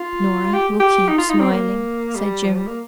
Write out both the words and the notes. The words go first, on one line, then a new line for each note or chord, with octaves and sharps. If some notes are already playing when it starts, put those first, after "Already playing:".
"Norah will keep smiling," said Jim.
Already playing: F4
G4
G4
D#4
F4
D#4
C4
A#3
G3
F3
G3
A#3